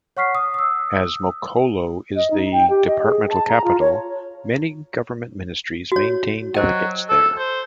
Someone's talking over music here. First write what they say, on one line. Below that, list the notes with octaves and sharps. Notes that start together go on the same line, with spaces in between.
As Mokolo is the departmental capital, many government ministries maintain delegates there.
C#5 F#5 C#6 F6 B6 C7
D#6
D#6 E6
D#5
D#4
G5
G4
D#5
G#4
A5
A#5
F4
C#5
F#4 C#5
F#3 C5 D#5 G5
A4
C5